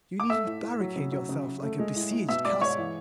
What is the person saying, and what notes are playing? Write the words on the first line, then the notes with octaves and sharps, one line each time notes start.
You needn't barricade yourself like a besieged castle.
D6
A3 E5 E6
A2
A2
F#3
C#3
F#3
C#3
C#3
A3
G#3
A2
A2
B2 E5 E6
G#3 D5 D6
G#3 C#5 C#6
E3